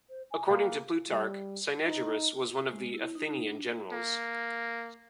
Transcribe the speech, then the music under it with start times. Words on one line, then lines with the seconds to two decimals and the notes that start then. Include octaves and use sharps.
According to Plutarch, Cynegeirus was one of the Athenian Generals.
0.09 C5
0.30 G#5
0.47 A#3 G#4 B4 F5
1.10 G3
1.83 D#4
2.71 G#3
2.94 E4
3.15 D#4
3.47 D4
3.93 A#3